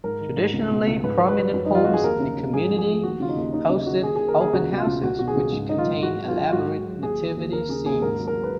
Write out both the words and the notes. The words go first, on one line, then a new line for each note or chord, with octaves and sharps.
Traditionally, prominent homes in the community hosted open houses which contained elaborate Nativity scenes.
G#2 A#4
D#3
G#2
C#2
B2
C#2
G#2 B4
F#3
B4
F#3
F#2 B4
D#4
F3 F4
F3 F#4
G#4
D#2 A#4
C#3
D#2
G#2 G#4
F3
G#4
F3
D#2 F#4
C#3 F4
D#4
D#2
D#2 D#4
C#3 D#4
D#2 F#4
D#2 G#4
G#4
D#3
A#4
D#2 G#4
C#2 F#4
B2
F4
C#2
C#2 F#4
B2 F#4
G#4
C#2
G#2
D#3 D#4
F4
G#2
G#2 F#4
F#3
F4
F#3
F4
G#2 F#4
F#3
F#3
D#2 G#4
D#3
D#2
D#2 A#4
C#3 G#4
D#2 G#4
G#2 A#4
F#3
A#4
F#3
B4